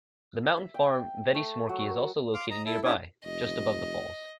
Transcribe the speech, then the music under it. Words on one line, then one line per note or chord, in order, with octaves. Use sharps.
The mountain farm Vettismorki is also located nearby, just above the falls.
E5
G5
A3
F#3
A#4
F5 C6 D6 F6
D#5 A#5
E4 A4
C#4 D4 E4 G4 C#5
F1 D#5